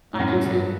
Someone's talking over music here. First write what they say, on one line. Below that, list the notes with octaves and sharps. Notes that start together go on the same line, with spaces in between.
I do too.
A2
F#2
F#3
G2
F#3